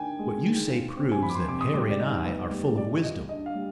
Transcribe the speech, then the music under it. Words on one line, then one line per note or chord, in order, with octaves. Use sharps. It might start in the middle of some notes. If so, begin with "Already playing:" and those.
What you say proves that Harry and I are full of wisdom.
Already playing: D#3 D4 G5 G#5
G#3
D#3
F4
C4
G#5
F3 B5
D6
C6
C3 D6
D#6
G3 D6
D5
D#4 D#5
B3
G3
G3 D5
F4 D#5
D4 D#5
F5
G3